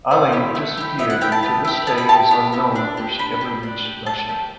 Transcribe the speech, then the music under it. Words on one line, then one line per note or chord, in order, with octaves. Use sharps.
Alling disappeared and to this day it is unknown if she ever reached Russia.
A3 C5
E4 G4
A3
E4 G4
B3 E5
F#5
E4 G4 G5
A5
B3
E4 G4
B3 A5
B5
E4 G4 A5
B3
E4 G4
D4
G4
D4 B5
G4
D4
G4
D4 A5
G4